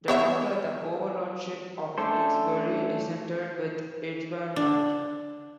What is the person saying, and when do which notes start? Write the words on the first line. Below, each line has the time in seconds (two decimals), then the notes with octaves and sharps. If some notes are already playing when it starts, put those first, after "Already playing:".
Thereafter the overlordship of Kingsbury descended with Edgware manor.
0.08 B3 C#5 E5
1.98 A3 C#4 D4 A4 C5
4.56 D4